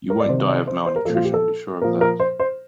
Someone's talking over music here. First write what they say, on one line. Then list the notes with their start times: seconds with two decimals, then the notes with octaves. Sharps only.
You won't die of malnutrition, be sure of that.
0.10 A#4
0.20 D5
0.28 C3 D#3 C5
0.48 D5
0.67 C5
0.86 C5
0.96 A#4
1.05 A#2 F3 A4
1.15 F4
1.24 G4
1.34 A4
1.82 A#2 F3 A#4
2.01 A#4
2.20 C5
2.40 C5